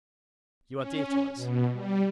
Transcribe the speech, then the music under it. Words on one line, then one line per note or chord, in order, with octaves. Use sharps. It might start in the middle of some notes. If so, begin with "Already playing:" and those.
You are dear to us.
C#4
B2
G3